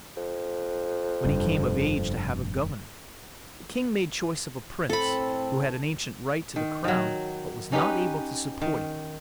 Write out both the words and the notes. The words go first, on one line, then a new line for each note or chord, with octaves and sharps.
When he came of age to have a governor, the king made choice of a prince who had an ancient right to the crown, but was not able to support it.
F2
F1 G2
A2 C4 A4 B5
D#3
D#3 F#3
C#4 D#4 G4 B4
D#3